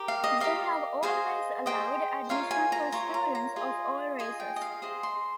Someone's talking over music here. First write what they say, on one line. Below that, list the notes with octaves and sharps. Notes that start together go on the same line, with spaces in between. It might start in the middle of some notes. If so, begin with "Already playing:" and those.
They have always allowed admission to students of all races.
Already playing: G4 A#4
F5
D#5
G4 A#4 D#5 F5
G#4 C5 D#5 F5
G#4 C5 D#5 G5
F4 A#4 C#5 F5
G#5
A#5
F4 A#4 C#5 A#5
A#5
A#5
F4 G#4 D#5
F4 G#4 D#5 G#5
G5
D#5
F5
G#4 C5 D#5
C6